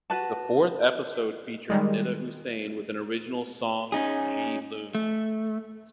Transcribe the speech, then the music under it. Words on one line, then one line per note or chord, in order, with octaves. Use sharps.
The fourth episode featured Nida Hussain with an original song Jee Loon.
F#4 B4 A5
D#3 G3 G#3
C#4 D#4 G#4
A3